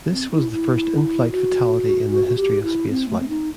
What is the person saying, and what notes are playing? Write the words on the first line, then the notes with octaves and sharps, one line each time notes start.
This was the first in-flight fatality in the history of spaceflight.
C4
E4
E4
F#4
F#4
F#4
G4
E4
C4
A3
C4
D#4